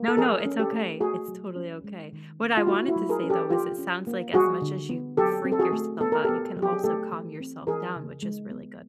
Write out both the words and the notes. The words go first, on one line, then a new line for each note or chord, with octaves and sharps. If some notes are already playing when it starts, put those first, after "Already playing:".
No, no, it's okay. It's totally okay. What I wanted to say, though, is it sounds like as much as you freak yourself out, you can also calm yourself down, which is really good.
Already playing: A#3
A4
F3 G#4 A#4
C#4
G4 A4
A3
A3 F#4 G#4
F#3
C#4
G#3
D#3
C#4
F4
A3 E4 F#4
E4 F#4
F#3
G#4 A#4
C#4
G4 A4
F3 F4 G4
C#4
A#3
G3 F#4 G#4
D3
B3
F#3 G4 A4
C4
A4
F#4 G#4
A3
B3 A4
A#4
B3 G4 A4
F#3
G4
G#4
A3 G4 A4
E3
C4
E3 G#4 A#4
C#3
G#3
B3